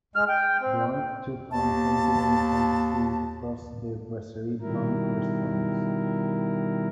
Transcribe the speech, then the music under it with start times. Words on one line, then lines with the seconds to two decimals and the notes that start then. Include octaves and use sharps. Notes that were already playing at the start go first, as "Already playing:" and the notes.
Blanc took on twenty-one apprentices across the Brasserie Blanc Restaurants.
0.16 G#3 F6
0.29 G5
0.62 C4
1.51 D#2 A5
4.61 B2 D#3 G3 E4 A#4